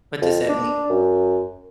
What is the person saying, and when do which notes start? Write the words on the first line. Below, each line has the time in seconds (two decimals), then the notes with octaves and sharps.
What does that mean?
0.21 F2
0.49 D4
0.90 F#2